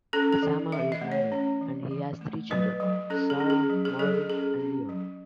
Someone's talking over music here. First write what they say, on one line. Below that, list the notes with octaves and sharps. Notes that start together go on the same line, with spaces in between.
Sammer is married and has three children, Sarah, Marvin, and Leon.
C#4 A4
A4
E3
E3 E5
D#5
A3
C#5
C#4
E3
E3
A3
F#3 B4
F#3
C#4 A4
G#4
C#4
G#4
F#3
G#4
F#3 A4
G#4
C#4 G#4
C#4
F#3